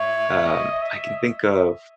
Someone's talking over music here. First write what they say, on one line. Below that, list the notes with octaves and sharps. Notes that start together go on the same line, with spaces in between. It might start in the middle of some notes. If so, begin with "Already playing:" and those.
uh, I can think of
Already playing: C#5 E5
D#5
E5